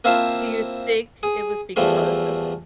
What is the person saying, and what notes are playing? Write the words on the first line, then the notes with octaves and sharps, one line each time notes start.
Do you think it was because of
A#3 C4 E4 F4 C5 A5
G#4
E2 F3 G3 A3 C6